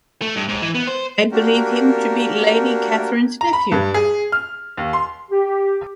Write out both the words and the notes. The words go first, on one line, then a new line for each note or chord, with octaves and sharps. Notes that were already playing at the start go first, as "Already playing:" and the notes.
I believe him to be Lady Catherine's nephew.
A3
G2
G#2
E3
B3
C5
A#3 D4 F#4 G4 A#4
A#5
B5
G2
G#4
F6
D#2
C6
G4